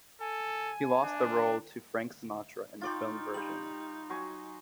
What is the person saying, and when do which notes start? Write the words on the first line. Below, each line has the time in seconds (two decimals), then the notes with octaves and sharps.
He lost the role to Frank Sinatra in the film version.
0.21 A4 G#5
1.03 D4
2.81 D#4 F4 D5 G5 C6 C#6 A6
3.34 G3 G5 F#7
4.10 F#3 G#5 C#6